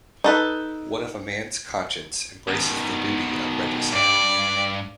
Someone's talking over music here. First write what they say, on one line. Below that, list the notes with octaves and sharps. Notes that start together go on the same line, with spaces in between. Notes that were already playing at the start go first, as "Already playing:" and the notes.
What if a man's conscience embraces the duty of regicide?
D#4 A4 B4
B2 D#3
G2 D5